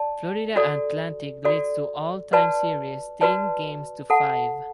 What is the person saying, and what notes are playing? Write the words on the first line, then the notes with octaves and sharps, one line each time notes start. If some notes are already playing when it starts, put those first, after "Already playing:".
Florida Atlantic leads the all-time series ten games to five.
Already playing: D5 A5
F#4 A4 D5
F#4 A4 D5
F#4 B4 D5 A5
F#4 B4 D5 A5
A4 F#5 A5